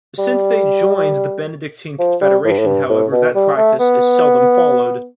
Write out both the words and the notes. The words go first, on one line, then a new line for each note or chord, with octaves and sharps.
Since they joined the Benedictine Confederation, however, that practice is seldom followed.
G3
F3
G3
A2
G2
A2
G2
A2
B2
G3
A3
B3